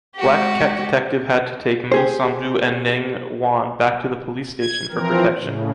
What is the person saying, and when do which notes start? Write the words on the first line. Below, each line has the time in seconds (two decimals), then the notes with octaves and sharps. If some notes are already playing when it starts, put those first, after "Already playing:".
Black Cat Detective had to take Mou Sandu and Neng Yuan back to the police station for protection.
0.17 G#3 F#4 G4
1.92 G4 G#4 C5
4.60 G#6
4.91 E3 F3 C4 A#4
5.39 A2 C#3